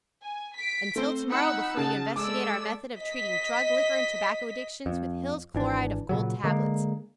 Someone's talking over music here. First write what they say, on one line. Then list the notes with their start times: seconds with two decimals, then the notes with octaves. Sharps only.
Until tomorrow before you investigate our method of treating Drug, Liquor and Tobacco addictions with Hill's Chloride of Gold Tablets.
0.20 G#5
0.55 B6 D7
0.96 A3 C4 C5
1.30 D#4 F#5 B5 E6 C#7
1.77 C#3 A5
2.16 G#3 A3 D5 D6 E6
3.00 D#5 B6
4.86 F2
5.54 G#1 E3 D4
6.09 A#2 C#3 F#3
6.44 D3 G#3 A#3